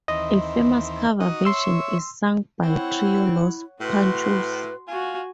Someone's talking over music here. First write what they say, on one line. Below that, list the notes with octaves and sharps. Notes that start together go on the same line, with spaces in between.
A famous cover version is sung by Trio Los Panchos.
D#2 E3 C4 D#5
D#4 F#4 D#5
C#5 E5 C6 E6
C4 E4 C#5 F#5
A2 F#4 B4 C6
F4 F#4 G#5